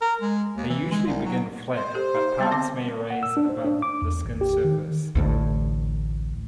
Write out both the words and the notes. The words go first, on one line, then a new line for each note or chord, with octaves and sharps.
They usually begin flat, but parts may raise above the skin surface.
A#4
G#3
D#2
E3
G#3
C2
F#3
C5
G4 A4
D#4
G3 B3 A5
D3 C4 D6
F#5
E6
D4
C5
D4
D6
E2
G#1
G4
D#3
A1 D2 A2